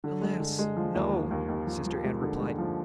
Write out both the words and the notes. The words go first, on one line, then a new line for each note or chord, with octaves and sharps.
"Alas, No!" Sister Anne replied.
D3
G#3
D3
G#3
F3
D#2
D#2
D#2
D#2
F3
F3
G#3
D3
G#3
F3